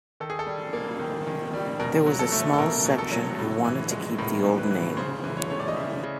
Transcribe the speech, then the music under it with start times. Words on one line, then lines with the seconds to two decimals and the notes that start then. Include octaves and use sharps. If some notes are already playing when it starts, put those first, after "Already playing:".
There was a small section who wanted to keep the old name.
0.20 D#3 A4
0.30 G#4
0.39 A4
0.47 G3
0.73 A#3
0.99 D#3
1.27 D#3
1.54 G3
1.80 B2 A#4
2.06 F#3
2.19 A4
2.32 A3
2.53 A4
2.58 B2 A#4
2.85 B2
2.98 A4
3.12 F#3
3.39 A2
3.65 E3
3.91 G#3
4.18 A2 A#4
4.44 A2
4.58 B4
4.71 E3
4.97 C#3 C5
5.24 E3
5.37 C#5
5.50 A3 C#5
5.60 D5
5.68 D#5
5.76 C#3 E5
6.03 C#3